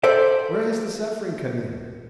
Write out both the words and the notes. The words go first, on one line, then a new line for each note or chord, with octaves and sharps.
Where has the suffering come in?
A4 C5 D5 E5